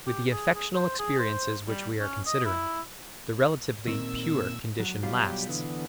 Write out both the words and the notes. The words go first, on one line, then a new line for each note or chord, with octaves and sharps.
With the affectional experiences which we are considering, the relatively 'pure' condition lasts.
G4
G#4
G#4
C5
G#4
C5
G3
C#4
D#5
E4
A#2 D#3 C4 A#4 E6
F#3
B2 F#3 G3 F4 G4 F5
D3 E3 B3